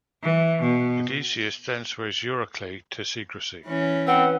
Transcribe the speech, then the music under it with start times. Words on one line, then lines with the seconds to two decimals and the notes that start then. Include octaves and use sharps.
Odysseus then swears Eurycleia to secrecy.
0.21 E3
0.61 B2
3.66 E3 C#4
4.07 C4 B4 F#5